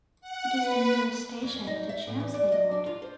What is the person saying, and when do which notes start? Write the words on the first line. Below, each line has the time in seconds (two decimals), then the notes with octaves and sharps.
It is the nearest station to Chelmsley Wood.
0.21 F#5
0.58 B4
1.43 F2
1.67 D#4
1.89 E5
2.07 A2
2.20 E2
2.34 D4
2.52 D#5
2.71 D4
2.86 F4
3.02 C5